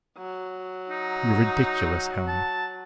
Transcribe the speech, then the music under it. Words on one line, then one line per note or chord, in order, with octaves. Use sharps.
"You're ridiculous, Helen."
F#3
D#4
A5